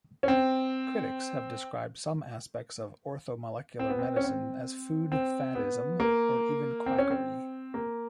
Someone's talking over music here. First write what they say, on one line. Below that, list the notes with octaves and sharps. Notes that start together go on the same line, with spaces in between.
Critics have described some aspects of orthomolecular medicine as food faddism or even quackery.
C#4
C4
C4
B3
C4
C#4
C4
C4
B3
A#3
C4
C#4
C4
A#3